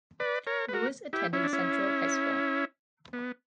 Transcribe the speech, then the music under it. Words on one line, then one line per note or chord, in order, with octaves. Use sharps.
Louis attended Central High School.
B4 D5
A#4 C#5
B4
F#4 A#4
E4 G4
C#4 E4
D4
C#4 E4
B3